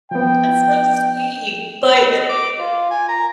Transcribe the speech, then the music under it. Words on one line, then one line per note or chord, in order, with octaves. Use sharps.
That's so sweet like,
F3 B3 G5
B4
D#5
D6
F4
G#5
A#5